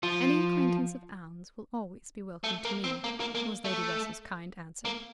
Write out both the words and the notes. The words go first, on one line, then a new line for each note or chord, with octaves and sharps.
"Any acquaintance of Anne's will always be welcome to me," was Lady Russell's kind answer.
F3
A3
A#3
C4
A#3
A#3
A#3
A3
A#3